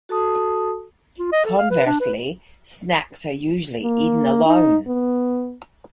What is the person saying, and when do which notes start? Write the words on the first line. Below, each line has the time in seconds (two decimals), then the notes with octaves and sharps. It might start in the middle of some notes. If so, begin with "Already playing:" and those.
Conversely, snacks are usually eaten alone.
0.09 F#4 A4 A5 D#6
1.19 F4
1.32 D#5
1.45 A4
1.58 F5
1.70 B4
1.86 D4
2.00 B4
3.83 A#3
4.45 D#4
4.87 B3